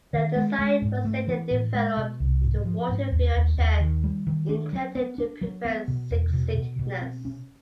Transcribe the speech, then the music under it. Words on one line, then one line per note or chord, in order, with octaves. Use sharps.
The design was later developed into a water-filled chair intended to prevent seasickness.
D#3
G#3
G#3
G#2
A3
E3
A2
G#3
B2
C2
G#2
F3
G#2
D#2
D#2
D#2
D#3
G3
D#3
D4
F#3
B3
D4
F#3
B3
B2
E2
B2
B2
B2
C4
C#4